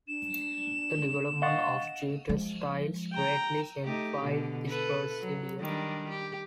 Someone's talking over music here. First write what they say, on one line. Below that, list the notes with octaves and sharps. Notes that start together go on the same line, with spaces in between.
The development of geotextiles greatly simplified this procedure.
D4 E7
D#5 F5 F#5 C#6 A6
F3 G#3
G5 A#5
A3 D#4 G4
B2 D3
A4 B4
F#3
D#3 G3 D4
G4